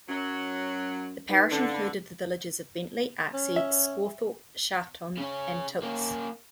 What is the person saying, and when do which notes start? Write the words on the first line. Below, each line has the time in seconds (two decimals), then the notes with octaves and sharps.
The parish included the villages of Bentley, Arksey, Scawthorpe, Shaftholme and Tilts.
0.09 F#2 F#3
1.29 D#4 B4
1.52 D3 C#4
1.70 F5 B5
3.33 C#4
3.56 E5
5.18 C#3 C#4
5.83 A#3 C#4